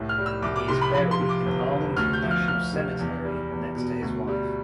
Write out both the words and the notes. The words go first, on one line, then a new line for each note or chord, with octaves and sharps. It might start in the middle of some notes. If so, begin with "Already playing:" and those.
He is buried in Arlington National Cemetery next to his wife.
Already playing: C2 A2
F6
G3
E6
C2 D6
D6
C3 C6
B5
F3 B5
C6
C3
D6
G1
F2
D2 F6
G6
F3
F6
D2 F6
C3
E2
G3
E2
B2
D2
G3